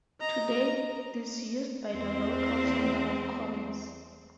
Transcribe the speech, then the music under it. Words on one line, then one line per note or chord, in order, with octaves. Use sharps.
Today it is used by the local chamber of commerce.
D#5 A#5
E2 C4